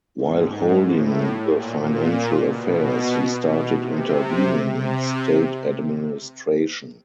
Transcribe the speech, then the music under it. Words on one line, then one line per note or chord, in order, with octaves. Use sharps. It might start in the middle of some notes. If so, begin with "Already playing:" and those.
While holding the financial affairs, he started intervening in state administration.
G#2
G#2
A2
A#2
A#2
B2
B2
C3
C3